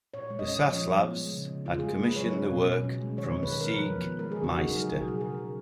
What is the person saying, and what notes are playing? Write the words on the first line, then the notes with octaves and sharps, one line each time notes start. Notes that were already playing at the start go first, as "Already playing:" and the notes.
The Saslavs had commissioned the work from Siegmeister.
A#2 C#5
G#3
D#5
C#4
F3 C#5
F3
B3
G#3
C#3
C#3
C#3 F4
G#4
G#3
G#3 B4
F#3 C#5
C#4
B2
C#4
C#4
G#3
D#3 C#5
C#4
B4
D#3
A#4
F3 B4
F3
B3
G#3 A#4
G#4
C#3
F#4
C#3 D#4
F#3 A#4
G#4
B2
F#4
F#3 G#4
C#3 A#4
C#3